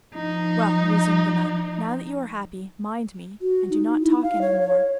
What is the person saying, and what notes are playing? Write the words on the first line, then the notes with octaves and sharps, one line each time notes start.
"Well," resumed the nun, "now that you are happy, mind me, and do not talk any more."
F3 D#4
F#4
D#4
E4
F5
C#5
C#5